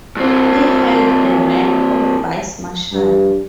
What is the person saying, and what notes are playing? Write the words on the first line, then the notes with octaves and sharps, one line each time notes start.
He held the rank of Vice Marshal.
G2 C4
G2